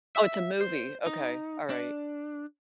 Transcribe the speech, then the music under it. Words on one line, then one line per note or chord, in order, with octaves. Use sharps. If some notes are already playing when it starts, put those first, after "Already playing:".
Oh, it's a movie, okay, all right.
E5
C5
D#4
D4